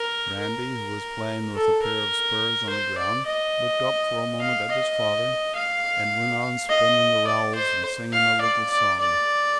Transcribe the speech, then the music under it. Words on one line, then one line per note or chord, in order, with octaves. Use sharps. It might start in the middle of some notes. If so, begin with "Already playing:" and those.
Randy, who was playing with a pair of spurs on the ground, looked up for a moment at his father and went on spinning the rowels and singing a little song.
Already playing: A#4
A#4
A4
A#4
C5
D5
D#5
F5
D#5
F5
D#5
D5
C5
F5
D5
D5
D5